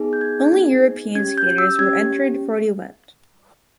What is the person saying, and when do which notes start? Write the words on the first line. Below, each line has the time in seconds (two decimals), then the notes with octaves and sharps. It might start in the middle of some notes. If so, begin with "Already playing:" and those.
Only European skaters were entered for the event.
Already playing: B3 D#4 G#4
0.13 G6
0.21 G#6
0.53 B3 D#4 G#4
1.15 C#4 G4 G#6
1.38 G6
1.58 E6
1.79 C#4 G4 G#6